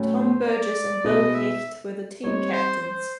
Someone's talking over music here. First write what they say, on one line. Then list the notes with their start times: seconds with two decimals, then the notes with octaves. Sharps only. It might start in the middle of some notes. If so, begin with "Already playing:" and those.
Tom Burgess and Bill Hecht were the team captains.
Already playing: A2 F#3 A3 C#4
0.16 C5
0.45 D5
1.04 B2 G#3 B3 D#4 D#5
1.35 E5
2.23 G3 C4 D#4 C#5
2.52 C5
2.82 C5